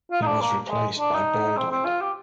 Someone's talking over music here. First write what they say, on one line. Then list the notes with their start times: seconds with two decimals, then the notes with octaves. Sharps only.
He was replaced by Baldwin.
0.11 F4
0.22 D#4
0.26 D4
0.41 A#3
0.70 G#3
0.99 D4
1.13 D#4
1.57 C4
1.71 C4
1.85 F4
2.01 G4